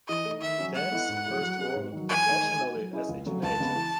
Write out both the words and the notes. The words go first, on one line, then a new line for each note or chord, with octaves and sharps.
Tan's first wrote professionally as a teenager.
E3 D#5
A3 D#4
D#3 E5
F#3 C#4 F#4
G#3 F#5
B3 E4 A4 D#5
G#2
F#3 A3 E4
F#3
C#4 G#4 B4
G#2
D#3 F#3
E2 G#5
D#3 A3
G#3
D#4 F#4
F#3
C#4 E4 G#4 D#5
C#2
C#3 F#3 A3
C#2 A5
C#3 G#3 B3
E3